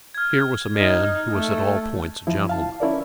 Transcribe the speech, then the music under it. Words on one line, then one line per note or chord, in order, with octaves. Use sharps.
Here was a man who was at all points a gentleman.
F6 G#6
D#4
A3
F3 E4
F5 A5
C#4 E4 A#4 D5